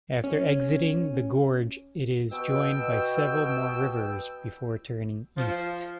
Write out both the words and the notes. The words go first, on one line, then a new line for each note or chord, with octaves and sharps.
After exiting the gorge it is joined by several more rivers before turning East.
C#4
B2 G5 E6
F3